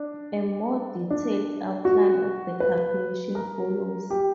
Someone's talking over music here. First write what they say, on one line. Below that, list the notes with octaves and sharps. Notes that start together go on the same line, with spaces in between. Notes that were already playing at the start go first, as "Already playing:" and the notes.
A more detailed outline of the calculation follows.
Already playing: D4
D4
F#4
B4
A#4
G4